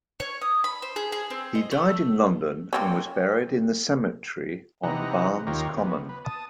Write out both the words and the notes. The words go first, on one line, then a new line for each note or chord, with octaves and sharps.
He died in London, and was buried in the cemetery on Barnes Common.
C#5
D#6
B5
C5
G#4
G#4
C4
D#5
A3
A#3 C4 C#4
C3 E3 D#4 F#5 A#5
D#2 D#3 F4 G4 C#5 A#5
B3
B4
A5 D#6